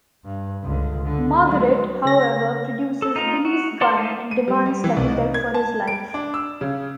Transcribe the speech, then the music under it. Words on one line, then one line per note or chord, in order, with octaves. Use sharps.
Margaret, however, produces Billy's gun and demands that he beg for his life.
G2
C#2 D3
D3
F#3 G#3
C#3 A#6
A4
D#4 F4 A#5
F#4
D5 F#5 A5 C6 D6
D#4 C5 E5 F5 A5
D#7
G3
G3
E3
C2
D#4
G#6
A5
D7
D4
E6
C#3